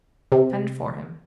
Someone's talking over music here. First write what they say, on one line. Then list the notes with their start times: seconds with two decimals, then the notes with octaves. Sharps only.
Send for him.
0.32 C3